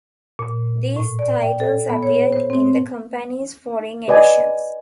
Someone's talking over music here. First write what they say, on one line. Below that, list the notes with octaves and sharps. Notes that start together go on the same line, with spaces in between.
These titles appeared in the company's foreign editions.
A#2
A2
D5
G5
A4
B3
C#5
C5
C4
B4 D5 D#5 G#5